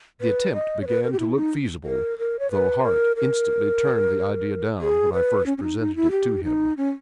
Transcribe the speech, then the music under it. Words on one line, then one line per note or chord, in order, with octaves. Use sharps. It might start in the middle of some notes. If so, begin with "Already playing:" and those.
The attempt began to look feasible, though Hart instantly turned the idea down when I first presented it to him.
B4
D#5
C#5
B4
A#4
G4
E4
D#4
A#4
A#4
C#5
B4
A#4
A#4
G#4
B4
C#4
C#4
D#4
D#4
E4
G4
D#4
C#4